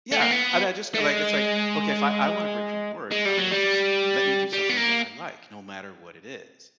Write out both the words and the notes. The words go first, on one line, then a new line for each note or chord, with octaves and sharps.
Yeah, I mean I just c like, it's like, okay, if I I wanna break from work, I'm gonna just let me do something that I like, no matter what it is,
A3
A#3
B3
A3
G#3
G#3
G3
F#3
G3
G3
B3
A#3